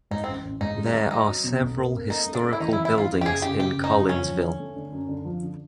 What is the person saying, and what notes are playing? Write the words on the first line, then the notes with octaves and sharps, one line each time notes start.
There are several historical buildings in Collinsville.
G#2 D#4
C4
A1
A1
G#2 D#4
G#3
D#4
G#3
F#3 D#4
F#3
B2
B1
A#3
A#3
A3 D#4
A3
D4
A3
E4
E3 D#4
E4
E3
E4
E3 F4
F#2
G4
F#1 G#4
C#3 G4
F#2 G4
F#1
D#4
C#3
F3 C#4
F3
D3
A3
D3
F#2
D3
F3
D3